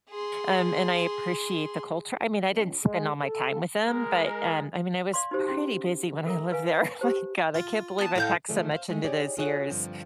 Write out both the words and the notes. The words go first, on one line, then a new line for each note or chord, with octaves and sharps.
um, and I appreciate the culture. I mean, I didn't spend all my time with 'em, but, um, I mean, I was pretty busy when I lived there. My god, I can't believe I packed so much into those years.
G#4 C6
C#2
G#3
A4
G#3 A#4
D5 F5 C6
D#4 F#4 G4 C5
C#4 E4 G#4 G5 C6
A4 A#4 E5 A#5
B4 F5 G#5
G4 C5 A5
F4
B3 A5
A2 A4 F5 G6
D3 F3 A3 D4 G#4
C5 F5
G#3 A3
D#4 G4 G#4 C#5 D5
F4 F#4 G#4 C#5 D5 F#5
G2 D3 F3 C4